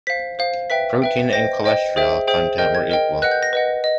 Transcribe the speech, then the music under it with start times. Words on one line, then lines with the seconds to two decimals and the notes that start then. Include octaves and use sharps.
Protein and cholesterol content were equal.
0.07 C5 F5 B6
0.39 C5 F5
0.70 B4 E5 G5 B6
1.02 B4 E5 G5
1.33 C5 D#5 G5 A#6
1.64 C5 D#5 G5
1.96 G#4 C5 E5 G5
2.27 G#4 C5 E5 G5
2.58 A#4 D#5 G5 G6
2.75 G#6
2.90 A#4 D#5 G5
3.22 B4 D#5 F#5 F#6
3.31 G6
3.43 A#6
3.53 B4 D#5 F#5
3.84 D#5